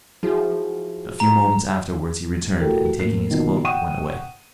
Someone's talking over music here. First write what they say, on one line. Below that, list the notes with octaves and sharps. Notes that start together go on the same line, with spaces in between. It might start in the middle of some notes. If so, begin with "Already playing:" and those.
A few moments afterwards he returned, and taking his cloak went away.
F3 E4 F#4 G#4
A#5
A3 E4 F#4 G4 A4 A#4
A1 A#3 C7
B2 D#3 F3 A#3 B3 D#4
F#5 G5 C#6 D#6 D#7 E7